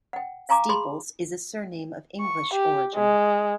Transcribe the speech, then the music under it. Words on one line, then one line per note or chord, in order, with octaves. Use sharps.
Steeples is a surname of English origin.
F#5 G5
F5 G#5 A#5 C#6 D6
G#4 B5 C6
C#6
G4
G#3